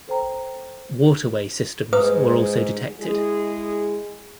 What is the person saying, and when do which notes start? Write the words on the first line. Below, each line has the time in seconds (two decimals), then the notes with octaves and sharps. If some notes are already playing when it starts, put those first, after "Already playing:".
Waterway systems were also detected.
0.08 A4 C5 G5 A#5
1.93 G#2 G#3 B4 D#6
3.00 G#3 E4 G#4